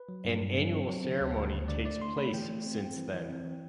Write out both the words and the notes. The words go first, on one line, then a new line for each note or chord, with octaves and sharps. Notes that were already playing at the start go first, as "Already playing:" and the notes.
An annual ceremony takes place since then.
Already playing: B4
F#3
G2
G2
F#3
C4
F#3
D3
D2
D2
D2
D3 D5
A3 D5
D3 C6
A3 B5
E3 G5
A3
C4
C4
E3
E3
C4
E3